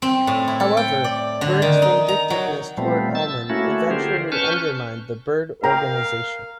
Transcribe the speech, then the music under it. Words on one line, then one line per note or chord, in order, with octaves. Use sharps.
However, Byrd's vindictiveness toward Almond eventually undermined the Byrd Organization.
C4
A2
E4
A4
G5
D5
D3
D#3
D#4
A#5
F#3
A#2 F3 G3 A3 B3 C4
E6 A6
A3 A#3 C#4 E4 F#4
D3 F4 G4 G#4 A#4 C5
C#4 B4 A5 C#6 F6 G6
A#4 F5 G5 A#5